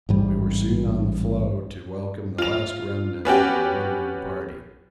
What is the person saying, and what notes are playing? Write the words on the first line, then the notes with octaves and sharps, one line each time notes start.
We were soon on the floe to welcome the last remnant of our wintering party.
A1 G#2 G3
F4 F7
B3 C#4 F#4 G4